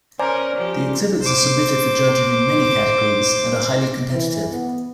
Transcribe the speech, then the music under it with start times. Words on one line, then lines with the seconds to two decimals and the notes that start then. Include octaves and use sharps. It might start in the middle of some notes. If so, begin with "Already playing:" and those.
The exhibits are submitted for judging in many categories, and are highly competitive.
0.20 C#4 A#4 C5 D5 G#5 A#5
0.56 F3 G4
1.22 C5 D6
4.12 E3
4.50 B3